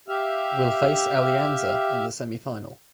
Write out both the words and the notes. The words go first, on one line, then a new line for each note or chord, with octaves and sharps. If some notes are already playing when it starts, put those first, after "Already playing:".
Will face Alianza in the semifinal.
G4 E5 F5